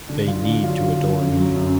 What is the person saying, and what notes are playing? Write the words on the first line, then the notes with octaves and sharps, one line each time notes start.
They need to adore me.
D3 D4
D3 F4
D3 D4
F#3 F4
D3
D3
F#2
F#3
F#2